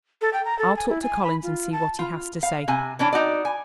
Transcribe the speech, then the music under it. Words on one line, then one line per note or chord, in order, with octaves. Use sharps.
I'll talk to Collins and see what he has to say.
A4
G5
A#5
A4
G#5
E4
G#5
B5
F4
A5
F4
F5
C3 G#5
E3 C#4 D4
D#4 F#4 D5
G#5